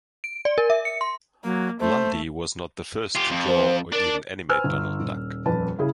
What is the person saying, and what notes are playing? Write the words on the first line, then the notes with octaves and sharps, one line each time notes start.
Lundy was not the first to draw or even animate Donald Duck.
D7
D5
A#4
E5
C#7
C6
F#3 A#3
A3 C5
F4 G4
F2
C5
D4 A#4 D5
B4 C5 G#5 E6 F6
G1
D#1
D#1 F2 B4 A5
C#3 E4 G#4